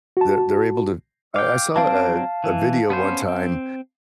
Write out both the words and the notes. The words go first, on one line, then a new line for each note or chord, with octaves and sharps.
they're they're able to I I saw, a a video one time
F#4 A5
F5 G5 D6
F#3 C4 D5 F5 A5
E3
B3 C#4 C5
C4